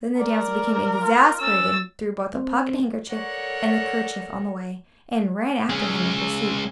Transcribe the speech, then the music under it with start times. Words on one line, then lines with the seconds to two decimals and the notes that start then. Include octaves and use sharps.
Then the damsel became exasperated, and threw both the pocket-handkerchief and the kerchief on the way, and ran after him in pursuit.
0.20 A#4 D5
1.01 F4
1.41 C#4 E6 A6
2.35 C4
3.10 A4 A#4 C#5 D5 F#5
5.70 G#3 C#4